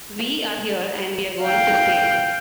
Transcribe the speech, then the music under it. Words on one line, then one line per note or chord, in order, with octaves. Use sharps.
We are here and we are going to stay.
F5 G5